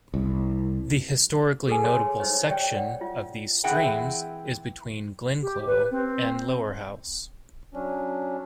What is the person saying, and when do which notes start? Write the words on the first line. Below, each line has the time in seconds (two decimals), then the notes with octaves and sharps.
The historically notable section of these streams is between Ginclough and Lowerhouse.
0.14 C2
1.67 G#4 A4 B4 G#5
1.84 C#5 C6 D6
2.20 D#4 C5 C#5
2.49 C#5 D5 G5
2.75 D5 F#5
3.01 F4
3.64 E3 C4 E4 G#4 F#5 G5
5.42 G4
5.67 B4
5.91 C4
7.74 F#3 C#4 D4